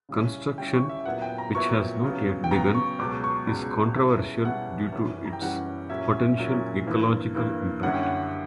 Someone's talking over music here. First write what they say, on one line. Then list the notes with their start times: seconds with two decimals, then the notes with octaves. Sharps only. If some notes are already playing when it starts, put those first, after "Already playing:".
Construction, which has not yet begun, is controversial due to its potential ecological impact.
0.09 C#3 G3 C#4 E4
0.57 C#3 G3 C#4 E4 G5
0.73 C#6
0.89 E5
1.00 E5
1.05 A#2 F#3 B3 E4 F#5
1.22 G5
1.38 A#5
1.55 A#2 F#3 B3 E4 C#6
2.03 C#3 F#3 B3
2.44 G5
2.51 C#3 F#3 B3 A#5
2.75 C#6
2.99 C#2 B2 F#3 D6
3.24 C#6
3.47 C#2 B2 F#3
3.96 B2 G3 C#4 E4
4.45 B2 G3 C#4 E4 F#5
4.92 F#2 E3 G3 C#4 E4
5.25 A#5
5.33 G5
5.41 F#2 E3 G3 C#4 E4 F#5
5.89 A#2 F#3 C#4 E4 E5
6.09 E5
6.38 A#2 F#3 C#4 E4
6.87 G2 E3 A#3
7.35 G2 E3 A#3
7.83 F#2 D3 G3 C#4 E4 F#5
7.94 G5
8.03 F#5